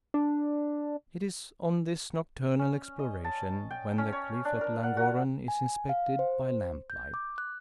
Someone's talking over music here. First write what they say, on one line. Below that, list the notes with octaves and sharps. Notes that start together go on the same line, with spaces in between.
It is on this nocturnal exploration, when the cliff at Llangorren is inspected by lamplight.
D4
C#4
D#5
A5
G5
C#4
C#5
D4
A#4
F#5
F#4
G#5
F5
C5
G6
D6
F#6